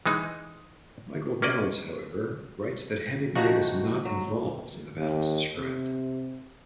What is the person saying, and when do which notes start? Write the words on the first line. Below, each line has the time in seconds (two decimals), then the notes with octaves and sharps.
Michael Reynolds, however, writes that Hemingway was not involved in the battles described.
0.06 E3 G#3 D#4
1.42 A#3 C#4 D5 D#5
3.35 C3 F3 D#4 F#4
4.05 F#3
4.97 D#2
5.58 C3